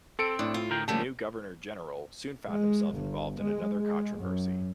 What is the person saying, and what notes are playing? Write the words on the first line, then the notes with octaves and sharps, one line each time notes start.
The new Governor-General soon found himself involved in another controversy.
C4 A4 C#7 D7
A2 D4
F4
D2 A#4 G5
C#3 F3 G3 A3 A#3 A5
G#3
G1
G#3
G#3
F#2